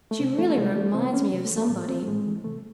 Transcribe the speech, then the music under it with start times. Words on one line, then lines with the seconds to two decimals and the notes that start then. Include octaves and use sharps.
She really reminds me of somebody.
0.11 A3
0.20 C3 C4
0.38 E3 A3
0.50 A3
0.57 C3 G#3
0.76 E3 A3
0.95 C3 C4
1.13 E3 C#4
1.32 C3
1.45 A3
1.51 E3
1.57 A3
1.69 A2
1.88 E3 C4
2.03 A3
2.07 A2 G#3
2.26 E3
2.44 C3 A3